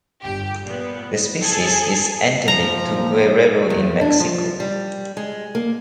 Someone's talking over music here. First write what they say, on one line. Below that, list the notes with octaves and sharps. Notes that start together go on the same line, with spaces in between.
The species is endemic to Guerrero in Mexico.
G1 G4 G5
A#2 B3
G#4 A4 A5
F3 A#5
A#2
E2
D4
F3
G3
G#3
A#3